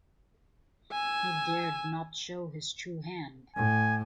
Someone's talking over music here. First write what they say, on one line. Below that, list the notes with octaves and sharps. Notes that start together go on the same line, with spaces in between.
He dared not show his true hand.
G#5 E6
A2 G#5